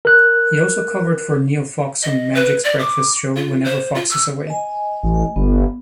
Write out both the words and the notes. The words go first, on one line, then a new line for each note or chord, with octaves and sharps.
He also covered for Neil Fox on Magic's breakfast show whenever Fox is away.
A#4 F#6
D#5
B4
D5
D6
F4
C5
F4
E6
D#5 G#5
A1
G1 B3